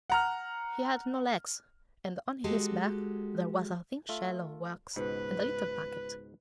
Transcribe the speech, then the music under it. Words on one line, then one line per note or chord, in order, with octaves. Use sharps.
He had no legs; and on his back there was a thin shell of wax and a little packet.
F#5 A#5 F6
G#3 F#4 G4 A4
A3 F4 E5
C#2 G#2 B2 B4